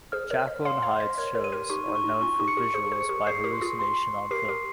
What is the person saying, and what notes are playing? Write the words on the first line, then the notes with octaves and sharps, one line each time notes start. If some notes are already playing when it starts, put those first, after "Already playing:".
Jackal and Hyde's shows are known for visuals by Hallucination on Film.
G#4 C5 F6
A#4 C#5
F6
C5 D#5
C#5 F5 C6
C#5 F5
C6
C5 D#5
A#4 C#5 G#6
A#4 C#5
D#7
G4 A#4
D#4 G4 C#6
D#4
C#6
D#4
C#4 F4 C#6
D#4 G4
C#7
G4 A#4
G#4 C5 C#6
G#4 C5
C#7
G4 A#4
G#4 C5 C7
G4 A#4
C6
F4 G#4
C6
C6
G4 A#4 C7
G4 A#4